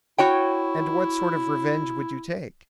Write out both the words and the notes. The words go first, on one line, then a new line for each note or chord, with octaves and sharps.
"And what sort of revenge would you take?"
E4 F#4 C#5 G5